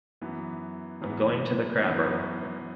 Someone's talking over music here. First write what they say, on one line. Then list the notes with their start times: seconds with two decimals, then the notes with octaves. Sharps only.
"I'm going to the crapper".
0.21 F#2 E3 B3
1.02 F#2 E3 B3
1.81 F#2 E3 B3